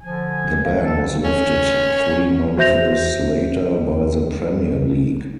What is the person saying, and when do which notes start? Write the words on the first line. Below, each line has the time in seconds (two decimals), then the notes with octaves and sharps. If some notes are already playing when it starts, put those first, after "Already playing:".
The ban was lifted three months later by the Premier League.
0.01 D3 F3 G#5
0.47 G#6
0.66 F5
0.83 A4
1.24 C#4
2.57 F#4 C5 E5 G6 A#6 F7